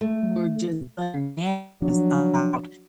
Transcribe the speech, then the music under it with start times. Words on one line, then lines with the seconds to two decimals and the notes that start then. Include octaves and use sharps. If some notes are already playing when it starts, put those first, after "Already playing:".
were just bananas about
0.01 A3
1.82 F3 F#3 D4